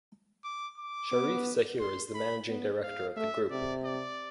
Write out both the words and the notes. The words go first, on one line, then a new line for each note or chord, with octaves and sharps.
Sharif Zahir is the Managing Director of the group.
D6
D6
B3
C6
B5
B3
F5
A3 E5
C3 D5
D5